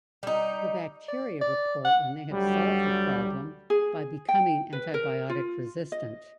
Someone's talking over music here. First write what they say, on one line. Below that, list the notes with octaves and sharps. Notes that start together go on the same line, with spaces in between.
The bacteria report when they have solved the problem by becoming antibiotic resistant.
G3 D#4
D5
D5
F#5
D2 F#3 G3
G#4
G5
B4
A#4
F4
D#5